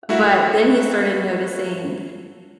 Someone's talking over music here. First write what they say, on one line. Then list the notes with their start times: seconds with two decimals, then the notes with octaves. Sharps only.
But then he started noticing
0.09 A3 E4 F#4 A#4 E5 F5